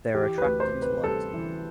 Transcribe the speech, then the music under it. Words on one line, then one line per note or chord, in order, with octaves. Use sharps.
They are attracted to light.
E3 G4
B4
D2
C5
C3
B4
G3 A4
E3